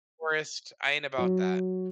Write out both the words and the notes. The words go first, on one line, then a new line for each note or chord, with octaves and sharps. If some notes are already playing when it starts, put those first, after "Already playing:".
forest, I ain't about that.
F#3